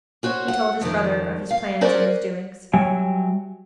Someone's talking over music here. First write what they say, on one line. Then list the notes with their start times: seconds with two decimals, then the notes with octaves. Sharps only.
He told his brother of his plans and his doings.
0.23 C#4 F#4 C5 C#5
0.48 F#5
0.81 F2 D#3
1.51 F5
1.81 C#4 F#4 G#4 A#4 C5 D5
2.73 F#3 G3 C#5 E5 G5 G#5